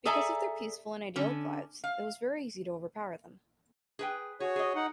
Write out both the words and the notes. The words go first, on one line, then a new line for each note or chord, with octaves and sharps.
Because of their peaceful and idyllic lives, it was very easy to overpower them.
G#4 A4 D5 E5 G#5 A#5
D3 C#4
F5
G#4 B4 G5
F#4 G#4 C#5
G#4 D#5
D#4 F#5